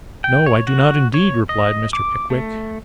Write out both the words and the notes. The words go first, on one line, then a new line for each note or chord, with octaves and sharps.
'No, I do not indeed,' replied Mr. Pickwick.
G5
C#5
F#4
C#5
D#5
D6
A3